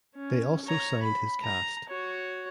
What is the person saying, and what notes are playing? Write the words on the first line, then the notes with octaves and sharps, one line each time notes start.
They also signed his cast.
C#4
C#5 A#5
B5
A#5
F#4 C#5